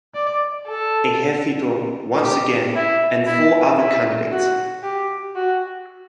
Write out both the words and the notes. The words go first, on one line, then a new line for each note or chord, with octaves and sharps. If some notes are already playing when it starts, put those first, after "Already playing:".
Ejercito once again and four other candidates.
D5
A4
G4
E4
E4
E4
F#4
G4
F#4